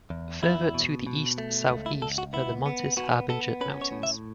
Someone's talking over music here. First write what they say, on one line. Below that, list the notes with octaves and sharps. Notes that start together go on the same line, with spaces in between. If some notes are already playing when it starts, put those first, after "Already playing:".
Further to the east-southeast are the Montes Harbinger mountains.
E2
E2 E4
B2
B2
A3
C#2
E4
C#2 A4
F#4
B3 E4
B3
B3 F#4
B3 A4
C#4 B4
C#5
A2
E5